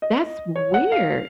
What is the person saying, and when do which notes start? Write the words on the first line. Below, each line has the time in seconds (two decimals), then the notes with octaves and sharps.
That's weird
0.02 D#5
0.56 C#5
0.74 F#5
0.92 F5